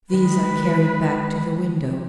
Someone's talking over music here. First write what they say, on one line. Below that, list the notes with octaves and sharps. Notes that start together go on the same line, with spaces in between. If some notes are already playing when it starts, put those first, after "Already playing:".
These I carried back to the window.
D#3 G#3 B4